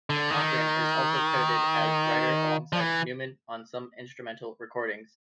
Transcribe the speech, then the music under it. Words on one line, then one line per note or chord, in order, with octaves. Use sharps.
Cochran is also credited as writer alongside Newman on some instrumental recordings.
D3
D#3
F3
E3